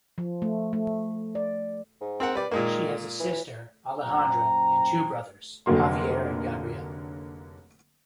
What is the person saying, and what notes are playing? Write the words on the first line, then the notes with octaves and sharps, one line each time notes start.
She has a sister, Alejandra, and two brothers, Javier and Gabriel.
F3
A3
A3
D5
G#2
C4 A#4 F#5
G3 B4 D5
A#2 D#3 G#3 A#3
E3
F#2 A#2 C5 G5 A#5
F1 D3 F#3 A#3 C6